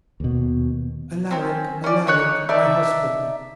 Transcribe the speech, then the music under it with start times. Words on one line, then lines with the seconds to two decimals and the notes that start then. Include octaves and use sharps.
'Alaric, Alaric, my husband!
0.20 D#2 B2
1.31 C4 C#4
1.84 C#4 D5
2.07 D#4 C#5 F#6
2.49 D#4 D5 E5 A5